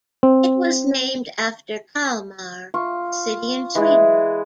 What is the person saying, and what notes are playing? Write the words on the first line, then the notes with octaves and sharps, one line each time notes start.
It was named after Kalmar, a city in Sweden.
C4
F4 C#6
E3 G#3 G#4